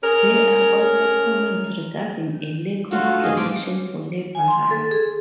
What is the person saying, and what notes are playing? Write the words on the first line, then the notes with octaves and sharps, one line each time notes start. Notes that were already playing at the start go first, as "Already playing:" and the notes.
There are also comments regarding a lack of protection for labour rights.
C#4 G#4 A#4 C#5
D3 A3 F4 F#4
F#2 D#4 G#4 D#5 F5
F3 G3 C4 F4 D6
G#5
C6
A4
G#4